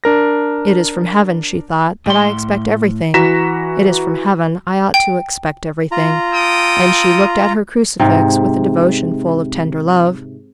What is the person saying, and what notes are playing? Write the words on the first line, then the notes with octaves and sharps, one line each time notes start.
"It is from Heaven," she thought, "that I expect everything; it is from Heaven I ought to expect everything." And she looked at her crucifix with a devotion full of tender love.
D4 A#4 A#6
A2 C6
E3 F#4 A#5 A#6 B6 E7
G5
F4 A#5
A4 G5 D#6
G#2 C3